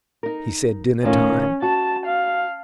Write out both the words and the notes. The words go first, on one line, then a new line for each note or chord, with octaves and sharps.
'He said dinner-time.'
D#4 A#4
A2 D#3 C#4 F4
F#4 A5
F5